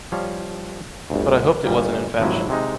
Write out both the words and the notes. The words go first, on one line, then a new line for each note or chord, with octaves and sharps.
But I hoped it wasn’t in fashion.
F3 G3 C#5 F5
G1 D2
G1 A#2 G3 A#3
G#1 C3 F3 F#3 E4
C3 G#3 D#4